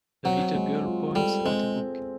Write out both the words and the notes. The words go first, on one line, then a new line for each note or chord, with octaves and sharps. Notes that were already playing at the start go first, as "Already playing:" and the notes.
A little girl points at a book.
F#3 C4
G#3
F4
G3 A4
G#3 C4